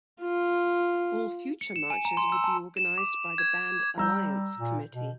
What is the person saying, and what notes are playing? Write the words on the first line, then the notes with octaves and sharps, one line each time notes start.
All future marches would be organised by the Band Alliance committee.
F4
C#7
E7
G#5
A#5
C6
E6
A5
E7
D6
G#6
G3 A#5 E6 G6
A#2
B2